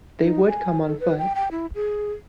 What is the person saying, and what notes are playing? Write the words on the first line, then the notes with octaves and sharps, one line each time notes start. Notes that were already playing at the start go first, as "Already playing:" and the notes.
They would come on foot.
D#4
G#5
A4
B4
G5
G5
E4
G#4